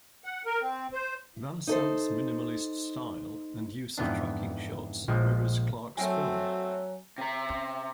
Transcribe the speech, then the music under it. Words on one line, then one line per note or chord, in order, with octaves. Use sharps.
Van Sant's minimalist style and use of tracking shots mirrors Clarke's film.
F#5
A#4
C4
C5
D#4 A4 C5
F2 G#2 E3 B3 D4
A#1 F3 G#3
F#3 A3 C4 G#5
C3 A#5